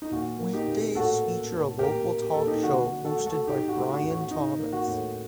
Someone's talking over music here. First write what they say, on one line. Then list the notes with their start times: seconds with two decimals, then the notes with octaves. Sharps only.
Weekdays feature a local talk show hosted by Brian Thomas.
0.02 D#4
0.11 A#2 F#4
0.39 A#3
0.53 D#4 G4
0.68 A#2
0.95 A2 F#4 A4
1.23 A#3
1.52 A2
1.79 A#2 G4 A#4
2.07 A#3
2.22 G4
2.34 A#2 A4
2.47 D#4 G4
2.63 D3 F#4
2.91 D3
3.05 F#4 A4
3.20 A3
3.26 F#4 A4
3.47 A2 D#4 G4
3.68 F#4
3.76 A3
3.89 F#4
4.03 A2
4.10 F#4
4.31 A2 D#4
4.59 A#3
4.73 F#4
4.88 A2